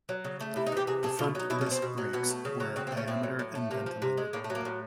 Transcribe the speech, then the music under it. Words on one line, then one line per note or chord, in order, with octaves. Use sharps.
The front disc brakes were diameter and ventilated.
F#3
C#3
A3
C3 E4
D#4
E3 G4
C3 G#4
A3 G#4
B2 F4
F#3 D#4
B2 E4
C#4
A3
C4
B2
F#3
B2 B3
A3
C#3
F#3
C#3 C4
C4
A3
C#4
A2 C4
F#3
A2
A3
C3 A#3
F3
C3
G#3
A2 A#3
A3
F#3
A#3
A2